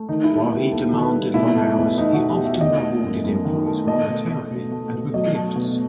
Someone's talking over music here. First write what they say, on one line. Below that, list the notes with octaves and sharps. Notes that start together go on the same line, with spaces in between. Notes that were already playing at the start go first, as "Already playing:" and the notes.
While he demanded long hours, he often rewarded employees monetarily and with gifts.
Already playing: A3
D#3 D#4
E4
G3
B3
G4
D#2 A4
D#3 A4
B4
G3
B2 E4
A3
E2
E2 D#4
F#4
B2
G4
A3 E5
E5
D#3 D#5
A3
F#2
F#2
D#3
A3
A3 D#5
B2
A3
B2
A3
B2
F#3 D#5
A3
B2